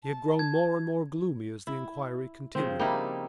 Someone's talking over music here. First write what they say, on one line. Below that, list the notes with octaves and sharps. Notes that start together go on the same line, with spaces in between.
He had grown more and more gloomy as the inquiry continued.
A5
G#6
E4
C#3 F3 C4
G3 A#3 D#4 E4